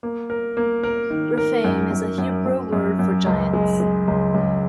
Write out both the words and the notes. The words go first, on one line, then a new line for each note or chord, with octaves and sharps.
Rephaim is a Hebrew word for giants.
A#3
A#4
A#3
A#4
D#3
A#4
F#2
F#2
F#2
F#2
F#2
F#2
C#2
G#3
G#3
C#2
C#2